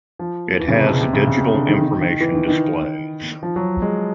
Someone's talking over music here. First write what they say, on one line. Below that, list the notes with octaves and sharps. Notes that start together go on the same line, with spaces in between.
It has digital information displays.
F3
E3
C#3
C3
B2
C3
C#3
C#3
C3
D3
D#3
D#3
D#3
E3
D#3
D#3
F3
F#3
G#3